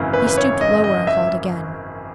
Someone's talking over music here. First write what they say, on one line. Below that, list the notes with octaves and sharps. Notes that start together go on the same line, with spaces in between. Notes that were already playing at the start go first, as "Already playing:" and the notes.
He stooped lower, and called again.
Already playing: G#1 F#2 C#3 E3
B4
B4
C#5
D#5
D#5
E5